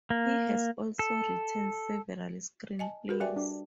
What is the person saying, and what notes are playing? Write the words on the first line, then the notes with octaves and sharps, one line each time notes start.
He has also written several screenplays.
A#3
A4
D#5 G#5 A5
F#4 G#4 A#4 B4
G3 G4 D5 E5 G#5
D4